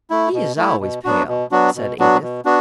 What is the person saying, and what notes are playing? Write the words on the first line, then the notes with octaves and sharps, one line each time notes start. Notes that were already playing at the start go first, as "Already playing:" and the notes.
"He is always pale," said Edith.
A3 E4
B2
A3 E4
B2
F#3 B3 D4 F#4
B2
F#3 B3 D4 F#4
B2
F#3 B3 D4 F#4
B2
B3 D4 F#4